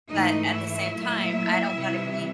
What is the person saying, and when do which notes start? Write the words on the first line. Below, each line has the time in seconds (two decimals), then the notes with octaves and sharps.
but at the same time, I don't wanna be
0.08 G#2 E3 A3 D#4 D#5
0.51 E4 E5
0.93 A#2 F#3 A3
1.77 C3 E3 G3